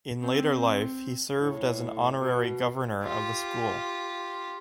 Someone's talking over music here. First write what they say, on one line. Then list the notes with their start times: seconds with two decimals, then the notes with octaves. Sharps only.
In later life, he served as an Honorary Governor of the school.
0.22 C4
1.41 A2
2.20 B2
3.03 F4 G4